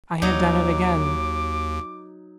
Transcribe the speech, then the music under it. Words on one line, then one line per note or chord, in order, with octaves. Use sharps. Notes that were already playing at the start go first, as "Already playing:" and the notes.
I had done it again.
D#2 F#3 D#4 D6